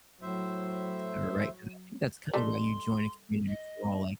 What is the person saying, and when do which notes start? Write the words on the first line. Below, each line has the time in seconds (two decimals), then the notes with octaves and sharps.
etcetera, right? 'Cause I think that's kind of why you join a community overall. Like,
0.22 A2 F#3 C5 E5
2.33 G3 A3 D#4 C6
3.48 D#5